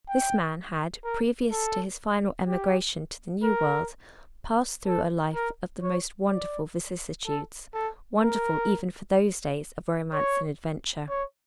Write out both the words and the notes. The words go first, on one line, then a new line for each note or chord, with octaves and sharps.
This man had, previous to his final emigration to the New World, passed through a life of the most wonderful vicissitudes--wonderful even for those days of romance and adventure.
G5
A#4
A4
G4
A#4
A4
A#4
C#5
D5
A4
A4
A#4
C#5
C#5